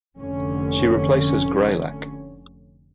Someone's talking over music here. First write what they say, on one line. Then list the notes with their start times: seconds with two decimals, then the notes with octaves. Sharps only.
She replaces Greylek.
0.18 F1 D3 C#4